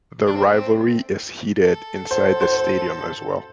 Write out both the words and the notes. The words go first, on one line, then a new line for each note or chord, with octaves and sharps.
The rivalry is heated inside the stadium as well.
D4
C4
A3
C4
A4
C5
C5